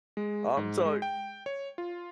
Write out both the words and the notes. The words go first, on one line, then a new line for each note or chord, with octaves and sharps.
I'm sorry
G#3
G#2
G#3
G5
C#5
F4